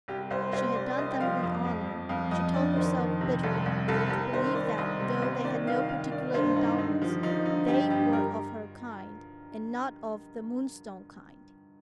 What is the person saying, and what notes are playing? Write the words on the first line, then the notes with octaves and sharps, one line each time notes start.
She had done them the honor, she told herself bitterly, to believe that though they had no particular endowments, THEY WERE OF HER KIND, and not of the Moonstone kind.
C2 G4
C2 C5
C2 C5
C2 D5
D5
C2 D#5
G5
F3 F5
F2
F2
F2
F2 F5
F2 D#5
D3 D5
D#3 C5
D#3
C3
C2 A4
C2
C2 A4
C2 A#4
D#3 C5
D#3 D5
C2 D#5
C3
C2 C5
D#3 D5
D#3 F5
D#3 F5
D#3 D5
G2 C5
D#3 D#4
D3 D#4
F3
F3 D#4
D3 D#4
G2 G4
G2 G4
A#4